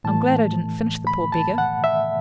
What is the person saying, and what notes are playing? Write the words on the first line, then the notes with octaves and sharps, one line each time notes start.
I'm glad I didn't finish the poor beggar.
A2 E3 A3 A5
B5
A5
F#5
E5